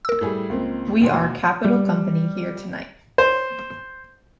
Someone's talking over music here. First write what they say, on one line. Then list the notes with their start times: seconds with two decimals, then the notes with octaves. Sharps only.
We are capital company here tonight.
0.05 A#4 E6
0.21 A2 G3 G#4
0.49 C#2 A#3 C4
1.01 E1 D#2 C6
1.64 G3
3.18 C5